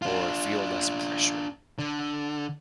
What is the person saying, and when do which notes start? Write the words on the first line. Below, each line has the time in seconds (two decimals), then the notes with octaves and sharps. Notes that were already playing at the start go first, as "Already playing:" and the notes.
or feel less pressure?
0.02 D4 F4
1.79 D3